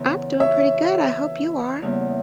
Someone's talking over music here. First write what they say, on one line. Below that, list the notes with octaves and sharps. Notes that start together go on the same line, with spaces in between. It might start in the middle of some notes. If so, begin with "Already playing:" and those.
I'm doing pretty good, I hope you are.
Already playing: E2 C#3 E3
C#5 E5
E2 C#3 G3 A#3 E4